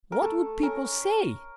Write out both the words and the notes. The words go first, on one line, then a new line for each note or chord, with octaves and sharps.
What would people say?
A#4
A3 A4
C#4 A#4